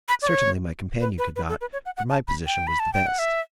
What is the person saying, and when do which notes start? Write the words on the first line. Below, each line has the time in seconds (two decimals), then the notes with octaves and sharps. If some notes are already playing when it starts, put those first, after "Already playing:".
Certainly, my companion could not, for my position was the best.
0.09 B5
0.22 D5
0.28 C#5
1.00 B4
1.18 B4
1.36 B4
1.49 A4
1.61 B4
1.73 C#5
1.86 F#5
1.97 F#5
2.10 A5
2.28 B5
2.46 G5
2.67 B5
2.80 A5
2.93 G5
3.07 F#5
3.19 E5